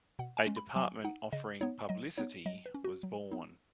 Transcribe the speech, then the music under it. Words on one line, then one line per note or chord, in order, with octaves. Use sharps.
A department offering Publicity was born.
B2 F#5
G#5
G#3 C#4
B5
F#3 G#5
D#4 F#5
C#3 D#5
B3 D#4 C#5
F#3 D#5
B3 D#4 C#5
F#3 D#5
B4
C#4
F#4
F#3
B3 D#4